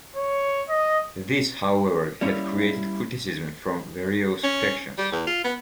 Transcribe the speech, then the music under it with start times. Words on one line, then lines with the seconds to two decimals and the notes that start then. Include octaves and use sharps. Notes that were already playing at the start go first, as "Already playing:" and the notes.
This however had created criticism from various factions.
0.16 C#5
0.69 D#5
2.21 G3 A#3 C#4 E4 C#5
4.44 C#4
4.98 G3
5.12 E2
5.27 F4
5.44 B3